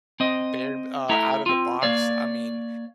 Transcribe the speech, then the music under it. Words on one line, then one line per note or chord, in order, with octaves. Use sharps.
B Bear, uh, Out of the Box. I mean,
C4 D#5
A3 E4 A#5
C4 F4
A#3 C#5 D5 F5